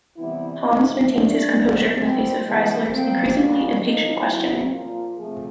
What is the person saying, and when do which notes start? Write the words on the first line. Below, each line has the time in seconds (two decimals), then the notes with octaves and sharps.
Hans maintains his composure in the face of Freisler's increasingly impatient questioning.
0.16 C3 E3 G3 B3 E4
0.62 C3 F3 A3 D#4
1.07 C#3 F3 A3 D4
1.53 D#3 G3 B3
1.98 B2 G3 B3 C4
2.44 C#3 E3 G#3 B3
2.89 A#2 F3 A#3 C4
3.35 B2 G3 A#3 C#4
3.81 A#2 F3 A#3 D#4
4.26 C#3 F#3 B3 E4
4.71 A#2 F3 A#3 F4
5.17 C3 F3 A3 G#4